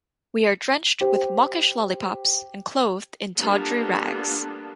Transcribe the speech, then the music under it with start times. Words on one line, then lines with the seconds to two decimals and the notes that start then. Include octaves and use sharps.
We are drenched with mawkish lollipops, and clothed in tawdry rags.
1.01 G4 C5
3.38 G3 A#3 B3 D4 F4 A4